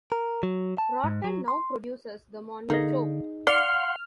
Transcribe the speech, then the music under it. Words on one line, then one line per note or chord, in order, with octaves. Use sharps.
Roten now produces the morning show.
A#4
F#3
A5
G#2
F#3
C6
D3 A#3 D#4 G#4 D#5
D5 F5 F#5 C6 F6